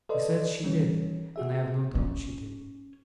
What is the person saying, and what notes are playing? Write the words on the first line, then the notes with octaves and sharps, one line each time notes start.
She said she did, and I have no doubt she did.
A4 B4 D5 D#5 C6
E3 G3 C#4
F#4 G#4 E5
C#4